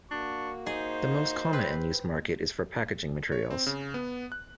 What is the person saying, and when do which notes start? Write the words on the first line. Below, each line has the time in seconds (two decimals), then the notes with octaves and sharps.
The most common end use market is for packaging materials.
0.11 A#3 D4 F#4 C#6
0.66 D#4 G#4 C5
1.53 C4 B4
3.32 C#5
3.50 C4
3.66 C#3
3.94 B3
4.32 F#6